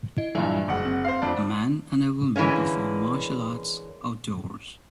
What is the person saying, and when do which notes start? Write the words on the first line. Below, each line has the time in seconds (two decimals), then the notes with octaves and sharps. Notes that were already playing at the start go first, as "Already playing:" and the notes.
A man and a woman perform martial arts outdoors.
0.18 E4 D#5
0.35 G2 A#2 E3 F#3 D5 E5
0.68 F#1 F#5 D6
0.85 C4
1.05 C5 F5
1.22 F2 D4
2.36 D3 E3 G#3 A#3 C#4